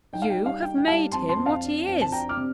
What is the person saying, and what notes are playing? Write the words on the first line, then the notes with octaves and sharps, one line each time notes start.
You have made him what he is!'
D#4 G5
F5
G5
G3
F5
D#4 G5
G5
G3 F5 A5
F2 A5 C6
A5 C6
F2
F5 A5
D4
F2
A5
D4 G5 A#5
D6 F6
C3